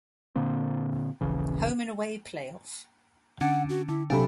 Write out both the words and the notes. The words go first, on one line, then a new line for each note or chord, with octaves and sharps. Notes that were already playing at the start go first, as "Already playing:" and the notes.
Home and away playoff.
A#2 D3 A#3 C4
D#1 A#1 C#3 E3
D3 C#4 D4 F#5
F#4
D3 E4
B1 C3 D4 A4 F5 G#5 B5